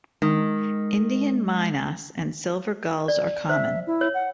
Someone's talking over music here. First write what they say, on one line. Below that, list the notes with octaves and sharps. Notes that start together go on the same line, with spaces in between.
Indian mynas and silver gulls are common.
D#3 G#3
D5
C5 E5
E4
C#5
F#5